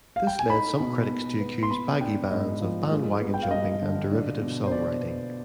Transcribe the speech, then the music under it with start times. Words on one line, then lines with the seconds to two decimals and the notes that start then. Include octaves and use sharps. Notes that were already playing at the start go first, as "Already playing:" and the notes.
This led some critics to accuse baggy bands of bandwagon-jumping and derivative songwriting.
0.16 F5
0.27 G5
0.39 G#5
0.50 D#4 B5
0.80 B2
1.10 B2
1.40 B3
1.63 C6
1.70 B3 B5
2.01 D4 G5
2.31 G#2 D#5
2.60 F3
2.91 G#3
3.21 B3
3.34 G5
3.43 F5
3.51 G2 D#5
3.82 D3
4.12 D4
4.42 B2
4.67 C5
4.71 B2 D5
5.02 B3